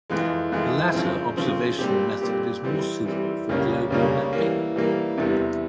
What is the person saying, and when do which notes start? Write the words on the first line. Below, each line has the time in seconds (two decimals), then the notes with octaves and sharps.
The latter observational method is more suitable for global mapping.
0.10 F2 E3 G#3
0.52 F2 E3 G#3
0.94 C#3 F3 C4
1.37 C#3 F3 C4
1.79 A#2 G3 C4 G4
2.21 A#2 G3 C4 G4
2.64 E3 G3 C4
3.06 E3 G3 C4
3.49 C#2 C#3 G3 A#3 C#4
3.90 C#2 C#3 G3 A#3 C#4
4.33 E3 G3 A#3
4.76 E3 G3 A#3
5.17 E2 C3 E3 G3